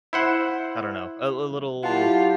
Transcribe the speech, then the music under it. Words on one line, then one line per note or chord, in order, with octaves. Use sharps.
I don't know, a l little,
E4 C5 F#5
F#3 E4 F4 G4 F#5 A5